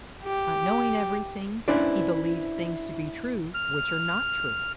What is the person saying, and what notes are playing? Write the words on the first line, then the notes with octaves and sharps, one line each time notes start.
Not knowing everything, he believes things to be true which are not true.
G4
C#4 D4 E4 B4 C5 D5
F6